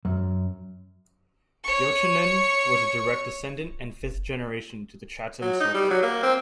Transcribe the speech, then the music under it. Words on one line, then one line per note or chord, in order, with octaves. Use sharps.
Yochanan was a direct descendent and fifth generation to the Chatam Sofer.
F#2
C#5 C#6
F#3
D#4
G3
F#3
A#3
C4